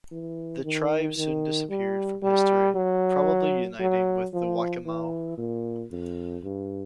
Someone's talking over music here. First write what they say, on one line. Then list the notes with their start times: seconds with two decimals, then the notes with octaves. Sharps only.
The tribe soon disappeared from history, probably uniting with the Waccamaw.
0.11 E3
0.64 D#3
1.17 D#3
1.70 G3
2.22 G3
2.75 F#3
3.80 F#3
4.33 F3
4.85 E3
5.38 A#2
5.91 F2
6.43 G2